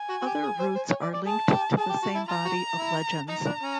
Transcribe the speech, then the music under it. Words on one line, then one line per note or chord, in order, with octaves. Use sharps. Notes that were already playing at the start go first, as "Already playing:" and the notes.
Other roots are linked to the same body of legends.
Already playing: G#5
F#4
F#4
G4
G#4
C5
C5
C#5
D5
D5
G#4 A5
G4
G#4 A5
G4
F#4
E4
F4 A#5
F#4
E4
D#4 A#5
D4
C#4